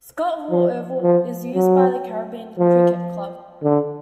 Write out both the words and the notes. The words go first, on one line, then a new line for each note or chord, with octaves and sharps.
Scott Hall Oval is used by the Caribbean Cricket Club.
F3
F3
F#3
F3
D3